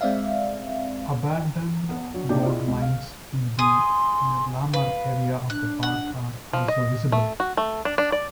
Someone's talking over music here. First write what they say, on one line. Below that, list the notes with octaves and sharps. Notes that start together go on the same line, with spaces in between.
Abandoned gold mines in the Miralamar area of the park are also visible.
G#3 C4 D5 E5 F5
B3
F#3 D4
A#2 C#3 D4 D#4 G4
E4 F4 G#4 D5 D#5
C#2
F5
G#4 C6 D#6
B4 F5
D4 F#6
F#5
F3
D#5
A3
F#4
A3
D4
D4
D5